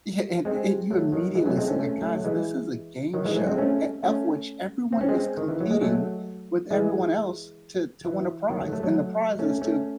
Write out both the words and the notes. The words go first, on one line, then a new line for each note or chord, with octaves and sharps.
e he a a and you immediately see that, "Guys, this is a game show, eh, of which everyone is competing with everyone else to to win a prize, and the prize is to
G#3 C4
F#3 A3
D#3 F#3
E3 G#3
F#3 A3
G#3 C4
A3 C#4
A3 C#4
F#3 A3
F#3
E3 G#3
D#3 F#3
E3 G#3
F#3 A3
G#3 C4
A3 C#4
A3 C#4
C4
C#4
G#3 C4
D#3
E3
F#3
G#3
F#3 A3
E3 G#3
E3
D#3 F#3
F#3 A3
F#3 A3
F#3 A3
A3 C#4
A3 C#4